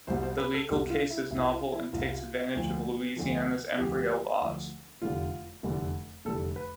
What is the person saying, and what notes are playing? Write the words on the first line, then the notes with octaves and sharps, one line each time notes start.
The legal case is novel and takes advantage of Louisiana's embryo laws.
C2 B2 G3 C5
C5
B4
A4
C2 B2 G3 G4
F4
E4
C2 B2 G3 E4
F4
E4
C2 B2 G3 F4
D2 D3 F3
D2 D3 F3
D2 D3 F3 G4
D2 D3 F3
F1 E2 D3 G3 F4
F1 E2 D3 G3
F1 E2 D3 G3 A4
B4